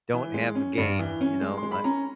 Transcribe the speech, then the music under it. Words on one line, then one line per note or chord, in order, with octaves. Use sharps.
don't have the game, you know, my
E3
G#3
C#4
G2
E3
C#4
G#3
C6
G#3
B5
C#4 A#5